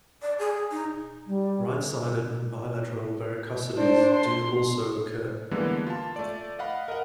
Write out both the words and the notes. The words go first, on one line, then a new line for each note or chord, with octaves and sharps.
Right-sided and bilateral varicoceles do also occur.
D5
G#4
D#4
G3
D4 C5
C6
D3 E3 G3 G#3 A#3 B3
F4 A5
A3 D5
D#5 F5 F#5 B5
A#4 D#5 F#5